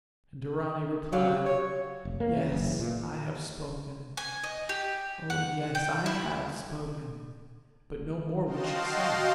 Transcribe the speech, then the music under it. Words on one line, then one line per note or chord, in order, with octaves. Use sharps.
And Dorani replied: 'Yes, I have spoken; oh, yes, I have spoken!' But no more would she say.
F#3 G4 F5
C#5
F1
A#3
C#3
F#1
E3
A#2
G#5
D#5
G4
F#5
G5
E4
F#4 D#5 F5 G5 A5 C6